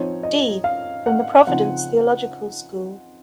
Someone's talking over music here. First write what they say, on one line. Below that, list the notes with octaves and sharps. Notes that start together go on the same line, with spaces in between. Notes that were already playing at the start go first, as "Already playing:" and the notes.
D. from The Providence Theological School.
Already playing: F3 C4 D#4 C#5
D#5
F5
F#5
C#3 F3 C4 D#4 F#5